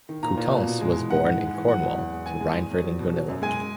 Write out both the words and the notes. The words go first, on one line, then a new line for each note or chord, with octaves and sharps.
Coutances was born in Cornwall, to Reinfrid and Gonilla.
D#3
A#2 A#5
A#2
B2
B2
G#3
E3
G#2 F#5
G#2
G#3
E3
F#3 F#5
E2
E2
G#3
E3 G#5
G#3
E2
E2
F#3
B2
F#3
F#2
G#3 G#5